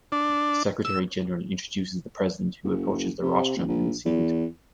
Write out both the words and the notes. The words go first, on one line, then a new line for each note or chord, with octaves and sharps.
The Secretary General introduces the President, who approaches the rostrum and is seated.
D4
E6
F#1
C3
D#1
A#1
E2